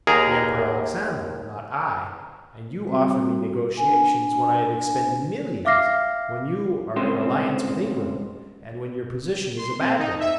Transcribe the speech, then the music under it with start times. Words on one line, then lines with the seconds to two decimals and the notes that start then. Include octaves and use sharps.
The Emperor Alexander, not I! And you offer me negotiations when I have expended millions, when you are in alliance with England, and when your position is a bad one.
0.07 D#2 G#4 A#4 A#5
2.88 G3 C4 F#4
3.32 F#4
3.77 D4 G#5
5.65 E5 F5 D6 F6 A#6 C7
6.96 G2 C#3 G#3 C4 C6
9.57 C6
9.80 C4
9.99 D#4
10.20 E5